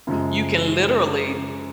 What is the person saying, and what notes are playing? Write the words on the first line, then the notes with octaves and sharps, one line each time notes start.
you can literally
F#2 C#3 F3 G#3